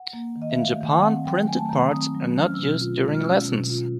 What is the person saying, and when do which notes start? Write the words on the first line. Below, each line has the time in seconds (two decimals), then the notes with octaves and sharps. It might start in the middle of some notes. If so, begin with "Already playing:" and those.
In Japan, printed parts are not used during lessons.
Already playing: F#5
0.13 A#3
0.36 D#3
0.42 D#5
0.50 E5
0.58 A3 F5
0.81 D#3
0.91 F5
1.03 C4 F#5
1.24 F#3 G5
1.47 A3 G#5
1.59 A5
1.69 D#3 A#5
1.81 A#5
1.91 C4 D#6
2.15 F#3
2.36 C#4
2.45 F6
2.54 E6
2.59 B2 F6
2.81 F4
3.03 G#3
3.15 F6
3.26 C#4 E6
3.48 B2
3.70 F4